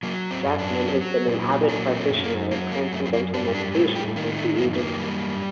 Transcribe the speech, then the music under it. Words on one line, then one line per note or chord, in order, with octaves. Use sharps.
Jackman has been an avid practitioner of Transcendental Meditation since the age of twenty.
F#3 A#3
C4
F#2
D4
F#3
A#2
F#3 D4
C4
F#2 A3
A#3
F#3 A#3
A#3
F#2 A3
C4
A#3
G3 D4
D4
A2 C4
G4
D#3 A#3
A3
F#2 A#3
A3
A#3
G3